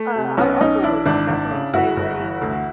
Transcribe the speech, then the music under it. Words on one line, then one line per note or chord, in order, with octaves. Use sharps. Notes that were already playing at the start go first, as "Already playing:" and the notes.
Uh, I would also definitely say, like,
Already playing: A3
C3
B1 B3 C#4
B1 C#4 D#4
E3 D4 E4
G#1 D4 E4
G#1
C#3
G1 E4 F#4
G1
E3
D2